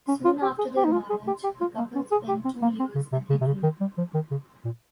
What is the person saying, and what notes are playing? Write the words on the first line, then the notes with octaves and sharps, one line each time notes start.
Soon after their marriage the couple spent two years in Italy.
C#4
F4
G4
G#4
G4
D#4
F4
G#4
G4
G4
F4
A#3
C#4
G#4
G4
C4
A#3
C4
C#3
C3
C#3
C3
C#3
D#3
G3
F3
D#3
C#3
A#2